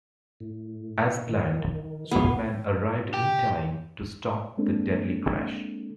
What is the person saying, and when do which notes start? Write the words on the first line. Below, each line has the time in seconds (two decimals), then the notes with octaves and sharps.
As planned, Superman arrived in time to stop the deadly crash.
0.40 A2
1.27 D#3
2.11 B3 G#4 F5
3.14 G4
4.58 G#3 A#3 C4 D4 A4